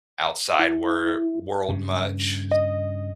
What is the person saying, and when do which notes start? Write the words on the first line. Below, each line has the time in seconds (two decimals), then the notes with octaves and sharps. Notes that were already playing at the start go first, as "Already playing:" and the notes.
outside wer world much,
0.59 E4
1.69 G2 C#3
2.51 D#5